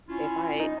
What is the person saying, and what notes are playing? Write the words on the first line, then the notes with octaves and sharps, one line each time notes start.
if I
C#4 E4 F4
D#4